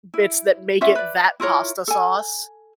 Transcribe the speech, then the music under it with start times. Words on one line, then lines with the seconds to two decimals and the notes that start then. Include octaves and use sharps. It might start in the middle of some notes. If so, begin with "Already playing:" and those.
bits that make it that pasta sauce.
0.14 E4
0.81 C#4 F4 E5 F#5
0.95 B4 D5
1.40 E4 F4 A#4 C#5
1.88 A4 G#5